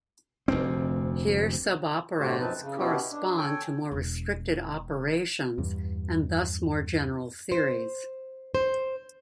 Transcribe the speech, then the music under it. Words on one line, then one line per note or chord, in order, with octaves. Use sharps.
Here suboperads correspond to more restricted operations and thus more general theories.
F1 D2 C4
A2 D3 A3 F#4 G4 C5
F#2 F3 C4 D#4 B4 A5
C#3
B2 B3 C#4 E4 G4
D4
A4 C#5 G5 G#5
E1
E2 G2
C5
C5